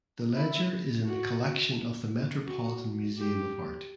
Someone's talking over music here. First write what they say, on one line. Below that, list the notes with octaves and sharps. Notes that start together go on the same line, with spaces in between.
The ledger is in the collection of the Metropolitan Museum of Art.
E4
F#4
F#4
G4